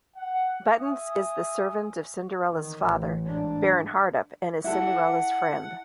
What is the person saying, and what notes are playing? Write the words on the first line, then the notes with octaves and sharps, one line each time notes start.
Buttons is the servant of Cinderella's father, Baron Hardup, and is Cinderella's friend.
F#5
E5 G#5 D#6
D#3
A1
G#2 D4
E4 A4 F#5